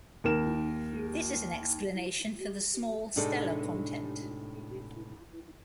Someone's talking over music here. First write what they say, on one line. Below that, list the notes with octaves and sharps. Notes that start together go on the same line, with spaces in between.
This is an explanation for the small stellar content.
D#2 A#4 E7
A2 C3 G#3 D4 D#4 A4